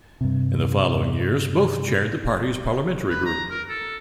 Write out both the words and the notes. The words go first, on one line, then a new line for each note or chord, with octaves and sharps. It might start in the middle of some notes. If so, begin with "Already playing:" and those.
In the following years, both chaired the party's parliamentary group.
G2 C3
B4
A#5
A#4
A4